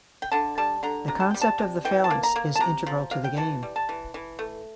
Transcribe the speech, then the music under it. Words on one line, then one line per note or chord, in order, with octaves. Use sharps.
The concept of the phalanx is integral to the game.
G5
D3 A5
G3 A5
D3 A#5
C3 A#5
A5
G3 G5
A5
C3
E3 G5
A5
A#3
A#5
A#3
A5
C3 A#5
F3
C3 F5
G5
E3 A5
G3
A5
E3
E3
A3